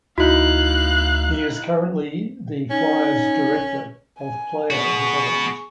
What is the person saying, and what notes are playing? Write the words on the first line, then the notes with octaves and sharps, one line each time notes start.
He is currently the Flyers Director of Player Development.
D2 D#4 E4 F#4 F5 F#6
C#4 D#4
G#5
B3 F#4 G#4 C#6